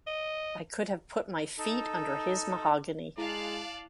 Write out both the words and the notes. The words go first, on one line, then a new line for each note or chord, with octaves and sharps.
I could have put my feet under his mahogany.
D#5
D#4 A4
G#3 E4 D5 F5 A5 F#6